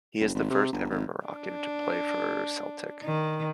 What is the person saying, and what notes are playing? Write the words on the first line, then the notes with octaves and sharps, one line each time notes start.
He is the first ever Moroccan to play for Celtic.
F#1
G#1
C3
G1
G#1
D4
D#3